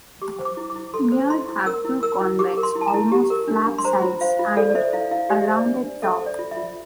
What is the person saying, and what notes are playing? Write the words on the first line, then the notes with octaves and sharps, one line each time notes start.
Mere have two convex, almost flat sides and a rounded top.
G4 D6
C5
D6
E4
D6
E4
A4 C6
C5
E4 C6
E4
A#4 E6
E4
A#4 E6
E4
G4 D6
A#4
C6
E4
A5
A#5
E4
G4
A#4
D4
D4
C6
C5 A#5
F4
C5 F5
F4
A4 D5
D5
C5 E5
E4 F5
E4 F5
G4 D5
C5 E5
D5
D4
D4
A4 E5
C5
D5
F4
E5
F4